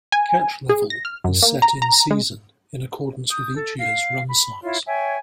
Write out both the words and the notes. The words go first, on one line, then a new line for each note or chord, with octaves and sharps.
Catch level is set in-season in accordance with each year's run size.
G#5
G#4
A#6
F6
F#2
A#3
A#5
A#5
G#3
D#6 G6
A4
F5
B5
E4 F4 C#5
C#5 E5 G5 G#5